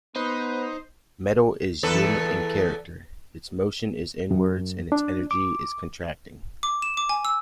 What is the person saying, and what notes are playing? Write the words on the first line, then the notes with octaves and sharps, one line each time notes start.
Metal is yin in character, its motion is inwards and its energy is contracting.
B3 D#4 B4 C5
E2 A4 B4
F#2
D4
D6
D6
E7
D6
G#5
E6